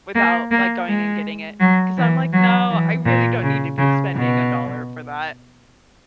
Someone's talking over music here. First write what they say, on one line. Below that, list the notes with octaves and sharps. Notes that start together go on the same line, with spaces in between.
without, like, going and getting it, 'cause I'm, like, "No, I really don't need to be spending a dollar for that."
A#3
A#3
G#3
F#3
E3
F#3
E3
A#2
C#3
C#3
B2